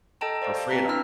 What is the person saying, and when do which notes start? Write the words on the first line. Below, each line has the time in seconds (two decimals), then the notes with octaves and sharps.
her freedom.
0.21 A4 D#5 G5 A5 A#5
0.42 C5 D5 F5 A5
0.70 C4 B4 A#5 B6
0.88 C4 D4 E4 E6 F6